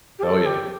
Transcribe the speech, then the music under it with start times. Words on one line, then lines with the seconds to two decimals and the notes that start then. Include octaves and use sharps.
Oh, yeah.
0.19 G4
0.23 A4
0.46 G4